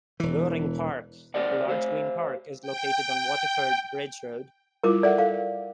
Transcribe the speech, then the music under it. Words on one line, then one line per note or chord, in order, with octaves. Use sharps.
Bowring Park, a large green park, is located on Waterford Bridge Road.
E1 E3
G4 A#4 C5 D5 F#5
G4 C5 F5
G5
G3 E4 F4 A#4 D6
A4 D5 E5 F#5
A4 F5